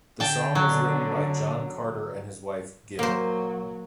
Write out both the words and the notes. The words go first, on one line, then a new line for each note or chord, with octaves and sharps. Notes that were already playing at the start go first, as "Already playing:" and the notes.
The song was written by John Carter and his wife Gill.
D3 G5 A5
F#3
F#3 A#3 C5